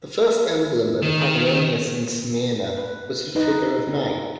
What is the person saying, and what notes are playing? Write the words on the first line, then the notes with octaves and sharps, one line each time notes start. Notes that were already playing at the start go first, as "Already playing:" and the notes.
The first emblem of Panionios in Smyrna was a figure of Nike.
D#3
B4
D#4 B4 D#5
C4